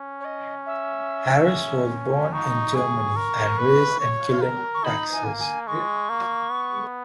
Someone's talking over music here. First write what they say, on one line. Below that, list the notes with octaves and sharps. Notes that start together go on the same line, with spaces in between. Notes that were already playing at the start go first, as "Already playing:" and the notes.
Harris was born in Germany and raised in Killeen, Texas.
Already playing: C#4
C#5
D#5
E5
D#4 C#6
G#4
A#4
B4
C#5
A#4
C#6
D#4 B5
G#5
A#3
G#5
G#3 C#6
A#3
B3